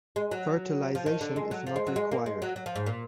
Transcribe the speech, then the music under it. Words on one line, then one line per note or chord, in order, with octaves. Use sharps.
Fertilization is not required.
G#3
F#3
F3
D#3
D3
G#3
F#3
F3
G#3
F#3
G#3
A#3
G#3
F#3
F#3
F3
G#2
A#2